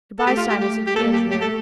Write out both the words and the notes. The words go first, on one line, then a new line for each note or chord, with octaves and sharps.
"Good-by, Simon," said the engineer.
A4
A3 G4
F4
G4
G4
G4
A#3 A4
G4
A3 G4
A4